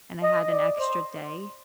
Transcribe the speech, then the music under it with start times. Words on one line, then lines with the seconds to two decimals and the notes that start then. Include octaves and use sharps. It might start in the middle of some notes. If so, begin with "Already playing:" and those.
and I had an extra day.
0.23 D#5
0.51 D5
0.80 C5